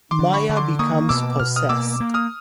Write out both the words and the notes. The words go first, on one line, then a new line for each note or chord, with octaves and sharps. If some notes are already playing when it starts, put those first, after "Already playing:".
Maya becomes possessed.
C6 D6
D3
B5 C#6
D3
C6 D6
A#3 C#6 D#6
B2 D6 E6
B2 F6
D#6 F6
A#3 D6 E6
A#3
D#6 F6